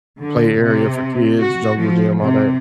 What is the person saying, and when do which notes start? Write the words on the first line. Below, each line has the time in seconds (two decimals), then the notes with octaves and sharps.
play area for kids, jungle gym, all that.
0.19 D3
0.55 C3
1.41 F#4
1.78 F3
2.22 C3